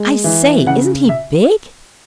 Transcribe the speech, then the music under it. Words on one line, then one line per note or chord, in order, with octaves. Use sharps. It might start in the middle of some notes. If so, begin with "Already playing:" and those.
"I say, isn't he big!"
Already playing: G#3
E3
C#3 F#5
E5